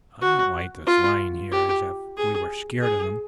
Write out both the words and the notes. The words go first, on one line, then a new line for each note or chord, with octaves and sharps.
"I don't like this lying here as if we were scared of them."
F#4
F4
G4
G#4
G#4